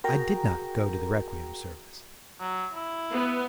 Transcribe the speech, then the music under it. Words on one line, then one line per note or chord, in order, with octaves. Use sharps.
I did not go to the requiem service.
F#4 G#4 A#4 G5 A#5
F#3
E4
B3